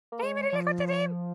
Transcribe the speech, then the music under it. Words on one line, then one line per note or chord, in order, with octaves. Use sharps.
He immediately quit the team.
A#3
G#3
F3